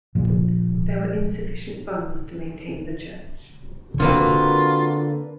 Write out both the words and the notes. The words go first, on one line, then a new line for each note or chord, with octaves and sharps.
There were insufficient funds to maintain the church.
A#2 F3 A#3
D3 A#3 C4 D4 F4 F#4 A#4 B4